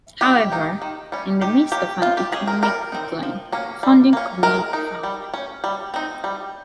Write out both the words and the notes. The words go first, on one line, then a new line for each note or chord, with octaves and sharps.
However, in the midst of an economic decline, funding could not be found.
G3 G4
A#3 D#4
D#3
G3 C#4
D#3 G4
A#3 C#4 G4
F3 F4
G4
G#3 C#4 G#4
A#4
G3 A#4
C4 D#4
F3
A#3 C#4
G3
A#3 C#4
G#3 A#4
D#4
G3
C#4
G3
C4 D#4
G3